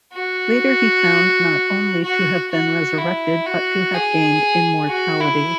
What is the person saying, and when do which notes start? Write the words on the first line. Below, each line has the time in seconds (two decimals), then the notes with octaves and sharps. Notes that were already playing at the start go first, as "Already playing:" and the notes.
Later he found not only to have been resurrected but to have gained immortality.
0.13 F#4
2.04 F#4
2.51 F#4
2.98 E4
3.46 F#4
3.94 G#4
4.88 F#4
5.20 E4